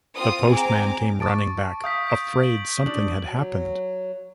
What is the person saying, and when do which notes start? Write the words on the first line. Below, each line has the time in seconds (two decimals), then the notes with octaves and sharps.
The postman came running back, afraid something had happened.
0.16 C4 F4 D#6
0.50 C4 G#4 G#5 A#5 D6
1.20 A5 C#6 D6 A6 D7
1.84 F5 D#6 G6 B6
2.07 G6 B6 D7
2.43 D7 F#7
2.86 D4 F#7
3.22 F#3